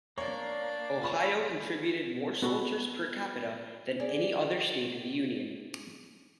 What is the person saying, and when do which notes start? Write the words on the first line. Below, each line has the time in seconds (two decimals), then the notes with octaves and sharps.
Ohio contributed more soldiers per-capita than any other state in the Union.
0.18 A#3 D4 C#5 D5
1.02 F4 B5 C#6
2.42 B3 F#4 A4 G#5 A5 B5
4.00 G#4 D5